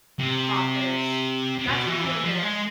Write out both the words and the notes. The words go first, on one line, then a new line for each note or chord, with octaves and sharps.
crawfish that's another one that
C3
C3
B2
E3
E3
F3
G#3